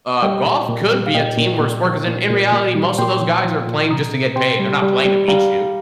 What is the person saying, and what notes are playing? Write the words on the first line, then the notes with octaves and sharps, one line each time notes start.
uh, golf could be a teamwork sport 'cause in in reality, most of those guys are playing just to get paid. They're not playing to beat you.
G3 D#5 G5
A#2
A#2
G3
F5
A#2 D#5 G5
A#2
A#2
F3
A#2
A#2
A#2
G3
A#2 G5 C6
F3
F3
A#2
C3 A#5 D#6
C3
C3 G5 C6
G3
G3
G3
G3 F5 A#5